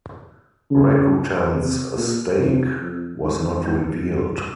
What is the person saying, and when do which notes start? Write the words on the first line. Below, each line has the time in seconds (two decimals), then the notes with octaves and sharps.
Rakuten's stake was not revealed.
0.71 C#3
1.55 C3
1.97 A#2
2.39 C3
2.81 F2
3.23 G#2
3.65 G#2
4.07 G2